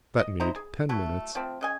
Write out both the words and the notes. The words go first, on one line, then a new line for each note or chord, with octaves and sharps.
That made ten minutes.
D#5
D#4 E4 C5 A#5
G#4
F#3 A3 E4
F3 A3 C4
C#3 D#5 G#5